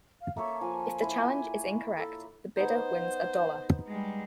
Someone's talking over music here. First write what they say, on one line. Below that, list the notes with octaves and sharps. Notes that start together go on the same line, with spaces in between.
If the challenge is incorrect, the bidder wins a dollar.
F5
A#3 A4 C#5 E5
F3 G#5
E4
A4
B3 D#4 C5
G3 G#3